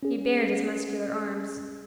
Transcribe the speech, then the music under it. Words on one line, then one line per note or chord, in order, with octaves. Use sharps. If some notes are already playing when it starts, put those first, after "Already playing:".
He bared his muscular arms.
C#4 G#4